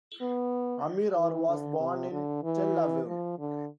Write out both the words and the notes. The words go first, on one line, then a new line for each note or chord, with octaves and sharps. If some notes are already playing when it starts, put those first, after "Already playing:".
Amir Or was born in Tel Aviv.
B3
E3
D3
C3
D3
E3
F3
D3